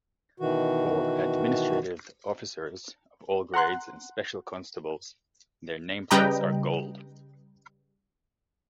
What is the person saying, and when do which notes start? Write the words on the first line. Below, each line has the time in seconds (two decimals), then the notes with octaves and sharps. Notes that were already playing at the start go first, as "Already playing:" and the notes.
For administrative officers of all grades and Special Constables, their name plates are gold.
0.40 B2 D#3 E3 F#4
3.54 F#5 A#5 C6 F#6
6.11 C#3 G3 B4 D#5 G5 A#5